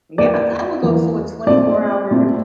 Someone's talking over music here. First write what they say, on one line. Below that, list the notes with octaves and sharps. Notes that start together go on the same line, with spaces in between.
Yeah, I will go to a twenty-four-hour,
E2 E3 A#3 D5
E2 E3 A#3
A#2 A3 C4 D5
A#2 A3 C4